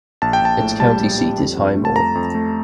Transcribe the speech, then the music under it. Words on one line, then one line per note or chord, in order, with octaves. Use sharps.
Its county seat is Highmore.
A#1 A5
G5
A#1 A5
A2
G3 A5
A#1
G3
F2
F2
A3
A5
F2 A#5
F2
A3